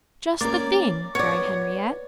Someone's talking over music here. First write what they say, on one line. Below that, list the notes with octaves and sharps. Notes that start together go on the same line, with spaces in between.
"Just the thing!" cried Henriette.
A#3 C#4 A#4 D5
B3 C#5 D5 D#6